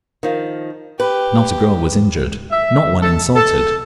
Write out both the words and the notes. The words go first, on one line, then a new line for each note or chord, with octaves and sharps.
Not a girl was injured, not one insulted.
D#3 F3
G4 B4
E5
A4
A4